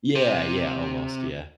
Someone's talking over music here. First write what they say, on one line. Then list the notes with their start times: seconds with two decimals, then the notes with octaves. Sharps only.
Yeah, yeah, almost, yeah.
0.15 C3